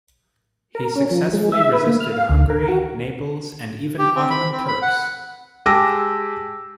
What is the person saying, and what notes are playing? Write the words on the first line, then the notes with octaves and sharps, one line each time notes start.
He successfully resisted Hungary, Naples, and even Ottoman Turks.
A#4
C#4
F3
G#3
E5
B4
A#3
F6
F5
D2
A#4
F#4
G4
C4
B5
C4
B5
F#5
G#3 G4 A5 D6 E6 A#6